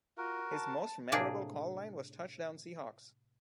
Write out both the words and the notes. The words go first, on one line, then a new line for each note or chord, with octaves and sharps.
His most memorable call line was Touchdown Seahawks!
F4 F#4 A#4
A5
A2 C3 A#3 D4 G#4